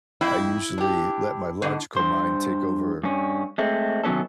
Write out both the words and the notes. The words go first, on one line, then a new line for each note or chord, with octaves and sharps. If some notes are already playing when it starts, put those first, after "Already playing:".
I usually let my logical mind take over
F2 E4 G5
D4 G4
G#2 B2 D3
G2 C5
G2 C#4
G#3 A3 C4
C3 D#3 F#3 B3 C#4 A4